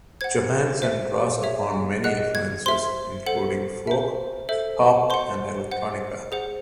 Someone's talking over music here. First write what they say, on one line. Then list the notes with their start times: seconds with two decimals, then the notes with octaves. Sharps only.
Johansen draws upon many influences, including folk, pop, and electronica.
0.21 C5 F#5 G#6
0.82 C5 E5
1.43 G#4 C#5 E5
2.04 G#4 D#5 F#5 F#6
2.35 G#6
2.66 C5 E5 C6
3.26 A4 C5 F#5
3.87 C5 E5
4.49 A4 C5 E5
5.10 C5 F#5 C6
5.71 C5 F#5
6.32 G#4 C5 F#5